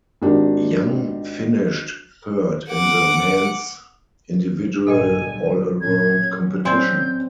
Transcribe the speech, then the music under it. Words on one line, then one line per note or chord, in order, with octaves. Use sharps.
Yang finished third in the men's individual all-around competition.
G#1 D#3 D4 G4
F#5 D6
A#1 G2 D3 A4 D#5 G5 G#5
B1 D3 G3
A#2 D3 C#4 G#6
F#3 C#4
C4 D5 G#5 C6 G6